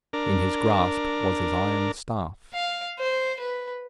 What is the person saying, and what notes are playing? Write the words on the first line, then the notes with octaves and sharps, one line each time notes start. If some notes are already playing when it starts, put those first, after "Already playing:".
In his grasp was his iron staff.
D4 A#4
F5
C5
B4